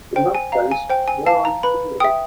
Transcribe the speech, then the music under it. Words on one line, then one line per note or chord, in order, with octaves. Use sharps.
In that case, where are you, really?
C5 G5
G#5
F5 A#5
G#5
C5 G5
G#5
F5 A5
A#5
B4 B5
E5 G5 D#6